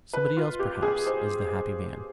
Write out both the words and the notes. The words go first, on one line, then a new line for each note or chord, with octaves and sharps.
"Somebody else, perhaps, is the happy man?"
B4
F4
G4
G#4
C5